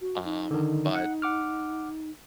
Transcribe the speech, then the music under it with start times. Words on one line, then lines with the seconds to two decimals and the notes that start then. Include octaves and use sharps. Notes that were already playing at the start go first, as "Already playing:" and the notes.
Um, but,
0.01 F#4
0.25 D#4
0.51 D3 D#3
0.95 F#5
1.22 F#5 D6 F6